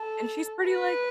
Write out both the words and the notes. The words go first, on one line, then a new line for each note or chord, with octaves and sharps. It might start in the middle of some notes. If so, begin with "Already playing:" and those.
and she's pretty like
Already playing: A4
B4